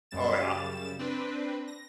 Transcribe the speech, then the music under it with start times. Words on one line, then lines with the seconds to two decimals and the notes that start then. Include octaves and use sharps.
Oh, yeah.
0.11 F#2 C#3 G3 A6 E7
0.99 C4 D4 B4
1.67 A#6